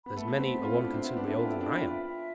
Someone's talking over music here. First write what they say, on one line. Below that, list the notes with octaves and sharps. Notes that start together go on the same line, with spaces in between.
"There's many a one considerably older than I am."
B3 B5
A3
B3 E5
C4
A4
F4
E4 B5
D4
C4 E5
B3
D4 A4
E4
F4 G5
E4
D4 B5
F4
E5
E5